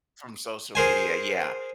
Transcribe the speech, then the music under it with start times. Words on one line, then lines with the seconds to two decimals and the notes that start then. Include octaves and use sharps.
from social media, yeah,
0.75 G#4 A#4 C5 G#5